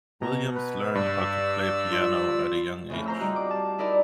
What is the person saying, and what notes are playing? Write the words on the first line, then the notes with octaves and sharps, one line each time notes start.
Williams learned how to play piano at a young age.
B2 A#5
B4
G2 D5 E6
F4
F2 A2 C#3
C5 A#5 E6
G3 D#4 F4 F#4 F#6
D6
A5
D#4 E4 A#4 D5